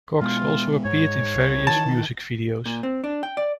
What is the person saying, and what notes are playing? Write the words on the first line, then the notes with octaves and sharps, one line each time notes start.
Cox also appeared in various music videos.
B2 G#3 B3 F4
G#2 C#5
C2
D#3 E3 A5
A#2
C4
D4
G5
D5